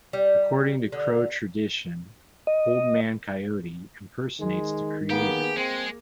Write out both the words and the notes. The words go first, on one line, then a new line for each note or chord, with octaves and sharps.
According to Crow tradition, Old Man Coyote impersonates the Creator.
G3
D3
D#5
D#3 G#3
A#3 B3 G4 G#4
G#3 C4